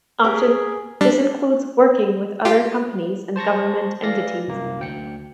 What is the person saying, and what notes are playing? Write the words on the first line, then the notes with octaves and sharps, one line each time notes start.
Often this includes working with other companies and government entities.
G4 G#4 A#4 F#5
G3 D4
F4 G4
C5 A5 C#6 A#6
E3 D5 F5 A#6
C2 F#2 A#3
D2 G5 C#7